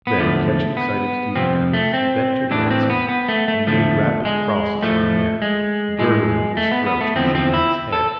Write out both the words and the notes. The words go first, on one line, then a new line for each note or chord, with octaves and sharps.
Then, catching sight of Stephen Dedalus, he bent towards him and made rapid crosses in the air, gurgling in his throat and shaking his head.
B3
E2 D3 F3 A3
B3
F2 C3 F3 C4
A3
C4
A2 E3 D4
C4
B3
B3
A3
A3
E2 D3 F3 A3
G#3
A2 F3 A3
G#3
A2 E3 G#3
A3
B3
B3
A3
E2 D3 F3 C4
C4
E4
A4